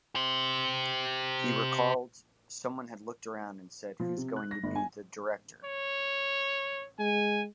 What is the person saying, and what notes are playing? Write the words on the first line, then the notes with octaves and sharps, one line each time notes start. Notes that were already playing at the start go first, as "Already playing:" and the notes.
He recalled: Someone had looked around and said, 'Who's going to be the director?
G4 C5
F3
C3
F#6
A#6
G1
G#5
C#5
G#3 G#5